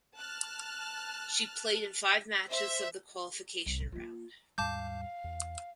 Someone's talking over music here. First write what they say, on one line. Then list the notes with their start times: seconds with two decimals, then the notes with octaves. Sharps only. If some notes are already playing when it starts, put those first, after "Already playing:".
She played in five matches of the qualification round.
0.19 A5 F6 F#6
2.48 C5 E5
3.66 C2
3.80 A1
3.92 A#3 F4
4.58 D#2 G#2 G3 F5 A5 D6 G6
5.24 E2